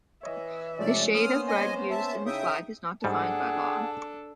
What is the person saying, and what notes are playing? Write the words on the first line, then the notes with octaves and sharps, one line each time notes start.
The shade of red used in the flag is not defined by law.
E3 C#5 D#5 E5 E6
C3 F3 G#3 A3 C#4 D5
A#3 B3 C5 D#6 F6
D#5 G#5
E5 A5
C#3 D#4 E4 E5 G5 D#6
G#2 G3 D4 G#4 A4 F#5